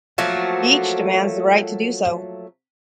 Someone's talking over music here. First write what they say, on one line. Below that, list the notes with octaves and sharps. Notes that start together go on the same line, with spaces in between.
Each demands the right to do so.
F3 F#3 A3 A#3